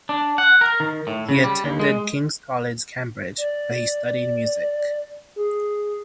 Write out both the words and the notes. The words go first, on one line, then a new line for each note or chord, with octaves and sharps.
He attended King's College, Cambridge, where he studied music.
D4
F#5
A#4
D#3
A2
C#3
G3
D#2
G#3
D5
G#4